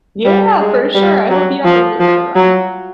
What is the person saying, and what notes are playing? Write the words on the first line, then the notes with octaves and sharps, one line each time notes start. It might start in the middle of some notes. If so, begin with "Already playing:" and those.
Yeah, for sure. I hope you have a really good one.
G3
G#3
G3
F#3
F3
F3
F#3